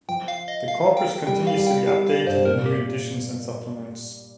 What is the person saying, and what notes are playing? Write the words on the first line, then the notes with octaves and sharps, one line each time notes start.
The "Corpus" continues to be updated in new editions and supplements.
F3 G5
F5
D#5
F5
G5
G3 G5
F5
G3
G5
G3 F5
F5
G2 C5
A#2 A#4
G4